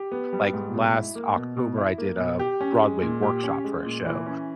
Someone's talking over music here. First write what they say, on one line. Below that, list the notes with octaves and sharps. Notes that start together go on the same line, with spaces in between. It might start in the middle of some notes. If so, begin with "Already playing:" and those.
Like, last October I did a Broadway workshop for a show,
Already playing: G4
B3
G3
G#2
B2
E4
A#3
B2
B2
E4
A#3
B2
G4
C#4
G#3
A#2
G4
C#4
G#3
A#2
E3
C#4